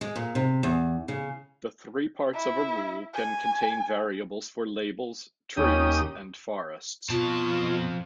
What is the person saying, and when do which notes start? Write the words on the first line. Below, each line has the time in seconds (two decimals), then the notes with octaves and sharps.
The three parts of a rule can contain variables for labels, trees, and forests.
0.01 G#3
0.16 A#2
0.35 C3
0.63 E2
1.08 C#3
2.34 E4
3.14 G#5
5.57 D#2 C#4 G4 D#6
7.10 F2 B2 F4 A5